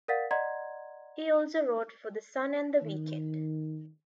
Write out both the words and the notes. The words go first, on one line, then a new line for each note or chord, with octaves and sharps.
He also wrote for the "Sun" and the "Weekend".
A#4 D5 F5 F#5 A6 B6
D5 D#5 F#5 A#5 C6 G#6
D#3